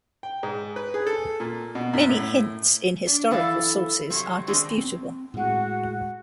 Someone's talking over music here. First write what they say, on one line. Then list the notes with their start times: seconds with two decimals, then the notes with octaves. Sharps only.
Many hints in historical sources are disputable.
0.23 G5
0.43 G#2
0.76 B4
0.94 G#4
1.07 A4
1.40 A#2
1.75 B2
1.93 F#2
2.09 A2
3.07 D4
3.31 F#2 E3 E4 A4 D5 F5
4.10 C3 F#3
4.47 C3 D#3 G#3 C4 D4
4.78 C4
5.34 A2 G#3 F#4 F#5